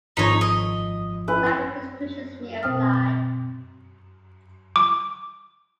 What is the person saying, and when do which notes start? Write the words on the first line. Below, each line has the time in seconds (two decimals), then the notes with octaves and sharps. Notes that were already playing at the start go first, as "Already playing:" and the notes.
Climbing restrictions may apply.
0.17 G#1 F3 D#4 C#5 B6
0.41 D#5
1.27 C#4 E4 B4
2.63 B2 C4 C5 G5 D#6 F6
4.76 D6